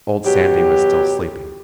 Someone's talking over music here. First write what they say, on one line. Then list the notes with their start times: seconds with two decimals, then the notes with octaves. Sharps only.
Old Sandy was still sleeping.
0.25 B2 F#3 G4